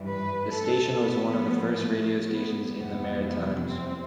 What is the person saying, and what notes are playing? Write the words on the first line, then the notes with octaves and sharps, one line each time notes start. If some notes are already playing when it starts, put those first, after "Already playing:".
The station was one of the first radio stations in the Maritimes.
Already playing: G2 E3 G3
B4
A4
A2 F3 B3
A3
B3
F2 C3 E3 G3 B3
C4